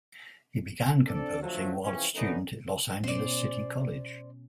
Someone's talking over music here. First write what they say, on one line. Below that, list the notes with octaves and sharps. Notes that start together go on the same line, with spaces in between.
He began composing while a student at Los Angeles City College.
C4 D4 A4 D5
D3 F3 F#3 A3
C#3 E3 F3 C4 C#4
F#2 D3 B3 D#4
B2 C#4 C5 D5